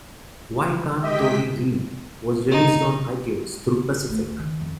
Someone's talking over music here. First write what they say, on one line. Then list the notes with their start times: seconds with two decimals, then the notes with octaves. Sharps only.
"Y Kant Tori Read" was released on iTunes through Pacific.
1.03 G#3 G4 D#5 E5 G5 B6
2.51 D#4
4.09 A2
4.23 D2
4.39 D#3
4.61 F2